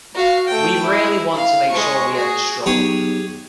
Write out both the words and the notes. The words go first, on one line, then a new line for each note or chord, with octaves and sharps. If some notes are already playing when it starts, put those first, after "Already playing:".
We really want to make sure we end strong.
F#4 F5
A3 G5
E4
F5
G#3 C#6
F#4 G#4
F#3 B3 D#4 G4 G#4 C#5